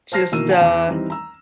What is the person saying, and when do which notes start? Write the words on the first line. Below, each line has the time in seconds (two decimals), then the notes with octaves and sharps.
just, uh
0.12 C5 A5 F6 A#6 C7
0.32 B2 D#3 E3 A#3 E6 D#7
0.49 F#5 G#5 A5
0.61 E2 D6
0.87 E3 G3 C4 D#4
1.10 A#5 E6